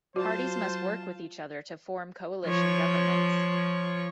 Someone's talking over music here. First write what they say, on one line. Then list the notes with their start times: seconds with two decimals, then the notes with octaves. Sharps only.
Parties must work with each other to form coalition governments.
0.16 F#3 F4 F#4 C5 A5
2.46 F3 C#5